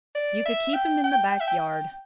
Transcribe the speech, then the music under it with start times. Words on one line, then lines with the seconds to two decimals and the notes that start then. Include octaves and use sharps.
You could keep him in the back yard.
0.15 D5
0.45 E5
0.74 G5
1.04 G5
1.40 E5
1.48 G5